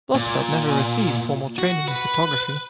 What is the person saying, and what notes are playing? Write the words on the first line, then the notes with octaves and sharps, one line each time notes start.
Blossfeldt never received formal training in photography.
A#2
F#4
B4